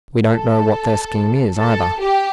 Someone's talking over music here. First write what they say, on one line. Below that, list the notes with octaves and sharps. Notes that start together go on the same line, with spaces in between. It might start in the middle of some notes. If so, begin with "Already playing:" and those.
We don't know what their scheme is either.
A4
A4
G4